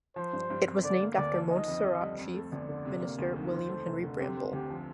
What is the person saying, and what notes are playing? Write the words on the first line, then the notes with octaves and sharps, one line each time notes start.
It was named after Montserrat Chief Minister William Henry Bramble.
F3 C5
G2
G2
C4
D3 D5
A#3
D2 D5
F3
D#3 D#5
F2
F2
G3
F2
A3
G1 D5
D3
C3
A#3
D2
D#3
F2 C5
A3
F1
D3
C3 G4
C4
D2 G4
F3